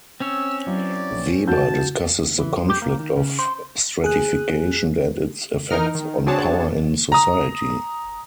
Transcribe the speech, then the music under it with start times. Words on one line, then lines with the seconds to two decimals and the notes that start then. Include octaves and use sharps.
Weber discusses the conflict of stratification and its effects on power in society.
0.20 C4 C#4 C#5 E6
0.67 F#3 E4 F#4 D5
1.48 E2 F#4 A5 G6
2.38 E3
2.55 F3
2.70 G4
2.82 A#3
2.99 D#3
3.16 C#3
3.39 C5
4.04 G#4 F#6
5.70 E3 D#4 A#4 D#5 F6
5.95 D#3
6.26 C4 D4 F#4 G#4 C#5 A5
7.12 A#5 D#6